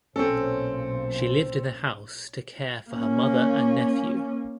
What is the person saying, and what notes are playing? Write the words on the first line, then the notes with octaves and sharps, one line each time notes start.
She lived in the house to care for her mother and nephew.
B1 A#2 C4 C#4 A4 C5 C#5
A#3 C#4